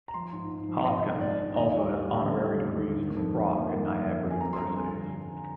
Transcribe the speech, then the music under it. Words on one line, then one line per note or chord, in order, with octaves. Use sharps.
Hoskins also has honorary degrees from Brock and Niagara Universities.
A#5
F3 C6
G#2
G#2
F3
G#2 D#5
G#2
G#3 D5
D4
D#2 D#5
G3
G3
D3
G3
D3
D#2
D3
D#3
F2
A#3
A#3
D#3
A#3
F2
F2
G#5
C4 A#5
C6
G2 A#5
C4 G#5
D3
G2
D3